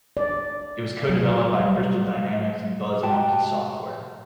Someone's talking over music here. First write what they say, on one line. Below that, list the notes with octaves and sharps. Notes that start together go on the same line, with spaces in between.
It was co-developed by Crystal Dynamics and Buzz Monkey Software.
D5
F#3
G3
F#4 G4 G5 A5